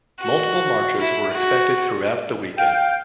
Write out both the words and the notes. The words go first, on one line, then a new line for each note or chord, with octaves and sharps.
Multiple marches were expected throughout the weekend.
F#4
E4
F#4
F5 G5